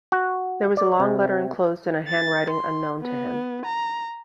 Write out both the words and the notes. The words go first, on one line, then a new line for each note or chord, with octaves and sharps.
There was a long letter enclosed in a handwriting unknown to him.
F#4
D5
C3
A6
C6
B3
A#5